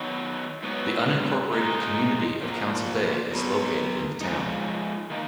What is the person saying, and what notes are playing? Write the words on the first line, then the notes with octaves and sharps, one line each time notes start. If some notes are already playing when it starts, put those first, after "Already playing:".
The unincorporated community of Council Bay is located in the town.
Already playing: D#3 F#3 B3 F#4
G#2 F#3 B3
A#2 G#3 D#4
A#2 F3 A#3
B2 F#3 B3
F3 G#3 D#4
D#3 A#3 D#4